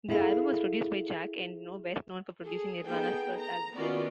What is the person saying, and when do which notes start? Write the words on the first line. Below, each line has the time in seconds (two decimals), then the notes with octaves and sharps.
The album was produced by Jack Endino, best known for producing Nirvana's first album.
0.09 E4 G#4 A4 B4 F5
2.40 G#4 A4
2.85 B3 D#4 G#4 A4 G5
3.35 A#5
3.75 D#3 B3 C#4 F4 F#4 D5